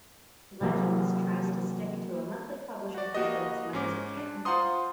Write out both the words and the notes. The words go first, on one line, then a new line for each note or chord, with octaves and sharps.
"Legends" tries to stick to a monthly publishing schedule as much as it can.
C3 E3 F#3 A#3
F#4 D5
A#3 F#4 G4 D#5
G#2 C#4 D6
D4
F4 C5 F#5 A#5 C6 D#6